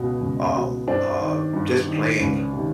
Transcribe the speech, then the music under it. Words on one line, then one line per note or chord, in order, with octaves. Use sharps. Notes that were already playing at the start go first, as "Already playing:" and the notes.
um, uh, just playing
Already playing: C#2 B2
C#2
B2
G2 C4 D4
D#3
G2
D#3
C#2
C3 D#3